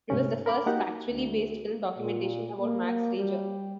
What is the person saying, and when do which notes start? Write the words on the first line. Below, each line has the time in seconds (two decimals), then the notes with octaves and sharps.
It was the first factually based film documentation about Max Reger.
0.10 G#2 C3 C#4
0.46 A#4 B5 D6
0.66 A#3 D#4 F#4 G4 F#5
1.08 D2
1.98 A#2
2.59 A#3
3.17 G3